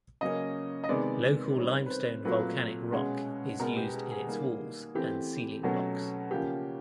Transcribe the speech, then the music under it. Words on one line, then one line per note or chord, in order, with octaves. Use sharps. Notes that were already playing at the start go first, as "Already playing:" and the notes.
Local limestone volcanic rock is used in its walls and ceiling blocks.
C#3 F#3 A#3 C#4 D#5
D#5
C3 D#3 G#3 B3 D5
D#3 G3 C4 C#5
B4
C5
A#2 F#3 A3 C4 B4
B2 G#3 C#4
B2 G#3 B3 A#4
G4
G#4
G#4
D#3 G3 A#3
E3 A3 C4 G4
B2 F#3 A3 C#4
C#3 F3 A#3 C#4 G4